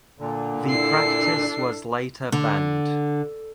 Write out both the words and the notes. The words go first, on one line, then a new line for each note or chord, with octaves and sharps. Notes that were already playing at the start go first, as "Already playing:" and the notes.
The practice was later banned.
A#2 D3
D4 E4 A4 C7
D3